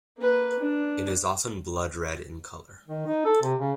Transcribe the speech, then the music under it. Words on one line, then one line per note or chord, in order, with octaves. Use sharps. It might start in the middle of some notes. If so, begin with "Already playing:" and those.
It is often blood-red in colour.
A#3 B4
D4
D#3
D#4
A4
C3
C#3